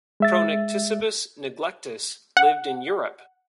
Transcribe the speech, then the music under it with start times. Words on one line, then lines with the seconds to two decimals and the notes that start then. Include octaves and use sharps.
"Pronycticebus neglectus" lived in Europe.
0.20 G#3 E5 A6
2.37 F#5